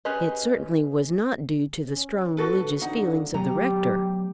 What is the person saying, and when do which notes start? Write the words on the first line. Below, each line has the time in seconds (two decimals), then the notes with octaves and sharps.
It certainly was not due to the strong religious feelings of the rector.
0.05 C#4 G4 G#4 B4 D#5
1.88 C#4
2.37 D2 A2 F#4 A4 B4
2.81 A1 F2 D3 D#4 F#5
3.34 F#3 A3 B3 G4 A#5